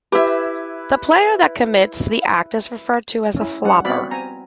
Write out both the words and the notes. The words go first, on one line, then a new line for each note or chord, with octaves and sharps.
The player that commits the act is referred to as a "flopper".
E4 G4 B4 E5
C#4 E4
G3 C#4 F#5
B3 C4 F#4 D5 F5 B5
C4 G#5 A#5